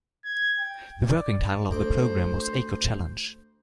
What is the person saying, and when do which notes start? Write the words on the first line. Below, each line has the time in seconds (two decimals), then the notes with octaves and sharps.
The working title of the programme was Eco-Challenge.
0.25 G#6
0.59 G5
1.06 D5
1.71 D2 C5 D6